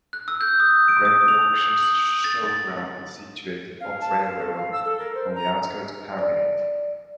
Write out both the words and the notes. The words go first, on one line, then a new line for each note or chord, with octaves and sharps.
The Great Yorkshire Showground is situated off Railway Road, on the outskirts of Harrogate.
F#6
E6
G6
D#6
D7
D#6
F7
D#6
F#7
A6
F5
A5
F5
A4
F5
E6
A4
A#4
C5
A#5
D5